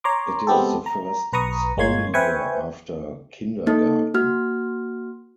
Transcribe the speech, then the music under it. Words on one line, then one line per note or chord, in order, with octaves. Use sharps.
It is the first school year after kindergarten.
C#5 A#5 C6 D6
G#3 B3 C4 G4 A4
A#5
B1 B4 A#5 C#6 D#6
G1 G#3 A#3 C#5 C6 G#6
B4 C5 E5 G5 G#5 C#6
A#3 D#4 A4
A#3 F#4 F6